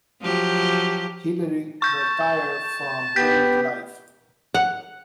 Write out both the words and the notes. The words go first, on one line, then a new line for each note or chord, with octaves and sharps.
Hillery retired from public life.
F3 F#3 G4
A5 C#6 G6
B3 G4 G6 B6
F#5